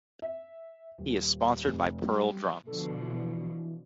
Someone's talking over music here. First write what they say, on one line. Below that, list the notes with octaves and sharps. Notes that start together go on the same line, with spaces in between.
He is sponsored by Pearl Drums.
E5
D#1
F1
G3
B2 D3 F3 A4
E3